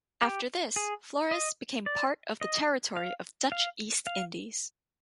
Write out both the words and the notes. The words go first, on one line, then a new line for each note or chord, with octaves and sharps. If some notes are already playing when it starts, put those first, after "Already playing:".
After this, Flores became part of the territory of Dutch East Indies.
G4
G#4
D#5
D5
D#5
F5
F5
F5